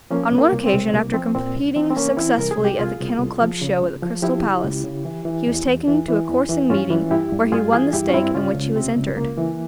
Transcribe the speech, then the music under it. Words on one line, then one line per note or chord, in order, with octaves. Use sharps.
On one occasion after competing successfully at the Kennel Club Show at the Crystal Palace, he was taken to a coursing meeting where he won the stake in which he was entered.
F3 A#3 C#4
C2
A#3
C2
C4
C2
C2 A#3
F3 C4
A#2 C4
C2
E3 C4
C4
C2 A#3 C#4
E3 C4 E4
C2 A#4
G#4
C2
G4
C2 F4 G#4
C2
C2
F3
C#3
C#2
F3
F3 E4 G4
C#2
C#2
C#3
E3
E3
E2
E2
E3
E3
E2
E3
G2 C#4 F4
E3
G2 E4 G4
G2
G2 F4 G#4
E3 F4 G#4
G2 E4 G4
C#4
G2 C4 E4
C#2 C#4 F4
C#2
C3 C4
C#2
C#2 A#3
E3